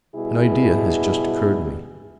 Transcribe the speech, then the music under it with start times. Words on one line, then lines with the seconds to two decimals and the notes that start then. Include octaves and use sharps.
"An idea has just occurred to me."
0.16 B2 G3 E4 G#4